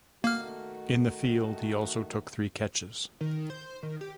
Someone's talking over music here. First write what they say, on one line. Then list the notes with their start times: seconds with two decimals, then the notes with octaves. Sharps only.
In the field he also took three catches.
0.24 D#3 A3 A#3 F#4 F6
3.21 D#3
3.50 C5
3.83 D#3
4.01 G4